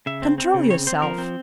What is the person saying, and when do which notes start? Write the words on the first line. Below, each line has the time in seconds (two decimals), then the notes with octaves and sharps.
Control yourself!
0.06 C#3 E5
0.22 C4
0.38 C4
0.54 C#3
0.70 C4 C#5
0.87 C4 C5
1.02 F3 A#4
1.18 C4